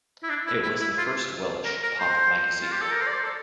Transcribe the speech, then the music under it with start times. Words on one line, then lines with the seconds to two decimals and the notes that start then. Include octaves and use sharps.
It was the first Welsh pop magazine.
0.23 E4
0.29 D4
0.47 E4
0.63 E4
0.81 E4
0.98 F4
1.65 A#4
1.83 A#4
1.99 C5
2.62 F4
2.71 G4
2.81 A4
2.91 A#4
3.01 C5
3.07 D5
3.13 C5
3.24 A4